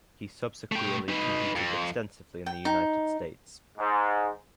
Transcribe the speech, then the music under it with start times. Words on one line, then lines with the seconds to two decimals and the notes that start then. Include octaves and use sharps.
He subsequeerly competed extensively in the United States.
0.72 A3 G5
1.08 D#4 B4
1.56 F2
2.46 G5
2.65 D#4
3.77 G#2